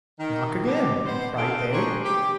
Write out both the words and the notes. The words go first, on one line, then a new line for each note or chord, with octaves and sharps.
'Knock again!' cried they.
D#3
B2 G4
B3 C5
A3 D4 G#4 A4 F5 G5
D4 D#4 G4 G#4 C5 C#5
G4